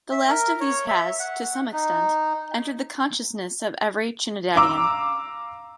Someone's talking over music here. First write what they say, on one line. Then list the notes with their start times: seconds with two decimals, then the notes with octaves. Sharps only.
The last of these has, to some extent, entered the consciousness of every Trinidadian.
0.12 E5
0.29 A#4
0.60 C#5
0.88 E5
1.20 F#5
1.73 D#4
4.55 F5 A#5 D6 E6